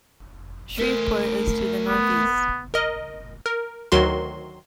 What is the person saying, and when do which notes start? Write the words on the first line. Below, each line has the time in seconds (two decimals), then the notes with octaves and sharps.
Shreveport is to the northeast.
0.78 A3 A#4 C5
1.88 B3
2.74 A#4 D#5
3.46 A#4
3.92 D2 D#3 F#3 F#4 C6